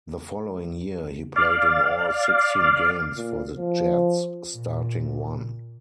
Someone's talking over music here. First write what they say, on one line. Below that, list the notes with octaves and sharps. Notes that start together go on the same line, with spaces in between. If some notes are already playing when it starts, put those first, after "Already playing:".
The following year, he played in all sixteen games for the Jets, starting one.
D5 F5
A#2
F3
A#2